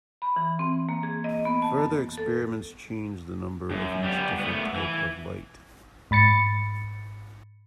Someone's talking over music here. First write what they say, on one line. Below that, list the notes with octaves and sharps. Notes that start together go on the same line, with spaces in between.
Further experiments changed the number of each different type of light.
B5
E3
C4
A#3
G#4
D#5
B3
A5
F#2
A4
F#2
G3 B3
A3 B3
E3
G#2 B5 A6 C#7